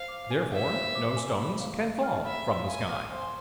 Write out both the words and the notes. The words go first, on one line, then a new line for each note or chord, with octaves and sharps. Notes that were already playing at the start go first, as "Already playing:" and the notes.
Therefore no stones can fall from the sky.
Already playing: C5 F5
D6
G#5
E5 F5
C5
D6
G#5
B5
F5
F5
F6
E5 B5
F5
F5 G#5
F6
C5 G#5